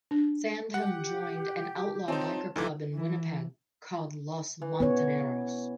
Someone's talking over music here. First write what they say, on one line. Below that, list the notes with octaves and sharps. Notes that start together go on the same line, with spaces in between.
Sandham joined an outlaw biker club in Winnipeg called los Montoneros.
D4
G4 F#5
C4 D#4 F4 C#5 A5
D2 E3 F3 D#4 A4 D6
E3
E3
B3 C#5